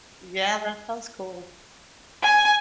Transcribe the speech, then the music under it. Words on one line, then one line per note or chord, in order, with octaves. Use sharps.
Yeah, that sounds cool.
G#5